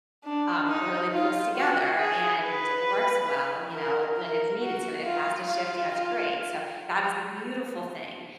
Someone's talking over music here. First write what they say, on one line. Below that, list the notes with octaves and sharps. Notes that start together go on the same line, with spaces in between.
um, really pulls together and works well, you know, when it's needed to, in a faster to shift, you know, it's great. So that is the beautiful thing,
D4
D#4
F4
F#4
G#4
B4
A#4
A#4
F#4
F4
F4
F4